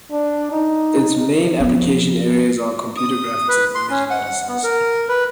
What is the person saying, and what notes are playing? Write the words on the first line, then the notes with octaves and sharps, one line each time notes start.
Its main application areas are computer graphics and image analysis.
D4
D#4
F3 B3
D#6
B4
C6
C#4
F#5
B3
A#4
B4